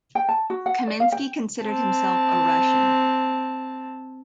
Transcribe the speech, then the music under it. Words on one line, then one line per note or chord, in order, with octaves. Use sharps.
Kaminski considered himself a Russian.
G5
A5
F#4
F#5
D5
F5
G5
C4 A5